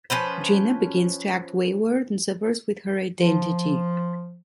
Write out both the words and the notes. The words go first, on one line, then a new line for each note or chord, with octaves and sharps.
Gina begins to act wayward and suffers with her identity.
F3 C#4 B4 C5
F3